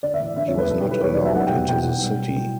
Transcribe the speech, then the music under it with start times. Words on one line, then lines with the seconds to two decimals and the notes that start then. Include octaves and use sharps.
He was not allowed into the city.
0.03 D3 D5
0.14 E5
0.20 A1
0.36 D3 E5
0.48 C#5
0.54 G3 B4
0.69 B1 A4
0.81 G4
0.86 F#3 B4
1.03 B1 C#5
1.14 D5
1.19 F#3
1.25 E5
1.35 B1 F#5
1.47 G5
1.53 B1
1.58 F#5
1.68 B2 G5
1.85 B2
2.02 G3
2.19 G3
2.35 A2